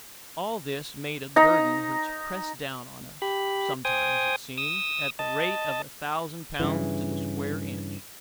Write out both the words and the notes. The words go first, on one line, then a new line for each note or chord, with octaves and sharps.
All this made a burden which pressed down on us, sometimes, it seemed, at the rate of a thousand pounds to the square inch.
D#4 A#5
G4 B5
C5 G5 G#5 D#6
D#6 E6
D#5 A5
G2 C#3 E3